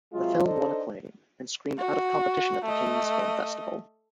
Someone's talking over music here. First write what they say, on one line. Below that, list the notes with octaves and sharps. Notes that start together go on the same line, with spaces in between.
The film won acclaim, and screened out of competition at the Cannes Film Festival.
C3 F#3 G#3 F4
D4 D#4 A4 C5 D#5
F#4
A3 D#5